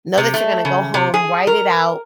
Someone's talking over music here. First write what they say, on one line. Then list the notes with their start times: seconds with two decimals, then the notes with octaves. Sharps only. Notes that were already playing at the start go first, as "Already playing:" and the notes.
know that you're gonna go home, write it out,
0.18 C3
0.34 A3
0.65 C#3
0.94 C3
1.14 G#4
1.47 A#4